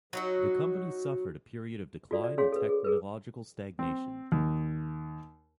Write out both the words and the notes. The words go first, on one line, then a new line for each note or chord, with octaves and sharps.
The company suffered a period of decline and technological stagnation.
F#3 D#4 F#4
F4 F#4 A4 D5
D5
C#4 G#4 C#5 F5 C6
A4 B4
G#4
G#4 A#4 B4
C4
D#2